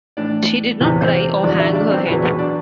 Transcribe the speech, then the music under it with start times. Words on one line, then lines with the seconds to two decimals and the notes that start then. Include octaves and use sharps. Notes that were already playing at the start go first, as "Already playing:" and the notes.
She did not cry or hang her head.
0.17 A2 E3 D4 D5
0.80 E2 C3 E3 B3 B4
1.02 C4 C5
1.43 E2 D3 F#3 D4 D5
1.60 E4 E5
1.75 D4 D5
1.91 C4 C5
2.07 E2 B2 F#3 B3 B4
2.23 B3 B4
2.39 D4 D5